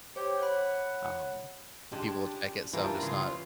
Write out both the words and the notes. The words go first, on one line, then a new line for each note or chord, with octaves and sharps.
um, and people would check it, so I'm just not
G4 C5 C#5
C#5 F#5 B5
C#3 F3 G#3 D4 G4
E3 F3 D4 F4 G4 A#4
C#3 F4 C6